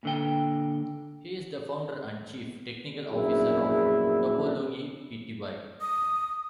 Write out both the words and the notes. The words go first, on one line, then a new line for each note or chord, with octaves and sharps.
He is the founder and Chief Technical Officer of Topologi Pty.
A#2 D3 G5
A#1 F#2 B3 E4 G#4
D#6